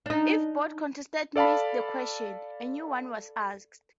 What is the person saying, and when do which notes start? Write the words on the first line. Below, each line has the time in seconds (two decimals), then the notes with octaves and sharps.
If both contestants missed the question, a new one was asked.
0.06 D4 D#4
1.36 A4 D5 F5 A5 B5